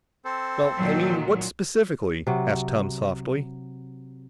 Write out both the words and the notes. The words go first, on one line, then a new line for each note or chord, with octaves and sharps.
"Well--I mean--what specifically?" asked Tom softly.
C4 A4 C5
A#2 D#3 F#3
C3 F#3